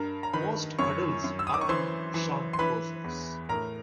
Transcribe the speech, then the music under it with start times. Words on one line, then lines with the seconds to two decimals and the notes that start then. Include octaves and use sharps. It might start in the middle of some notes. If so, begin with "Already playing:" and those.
Most adults are on short courses.
Already playing: G2 A#4 A#5
0.23 A#5
0.33 D#3 B4 B5
0.79 F#2 C#5 C#6
1.24 F#2
1.39 E6
1.47 D#6
1.54 D6
1.61 C#6
1.69 E3 C5 C6
2.14 E3
2.53 C6
2.59 E3 B4 B5
3.04 E2
3.49 A2 A#4 A#5